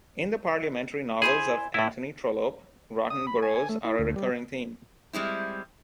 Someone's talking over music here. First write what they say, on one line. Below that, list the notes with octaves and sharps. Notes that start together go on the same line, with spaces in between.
In the parliamentary novels of Anthony Trollope rotten boroughs are a recurring theme.
E4 G#4 C5 G#5
A2 E4
D#6
B5
G#5
G#5
A3
E4
D2
G3
G3 G#3 C4 E4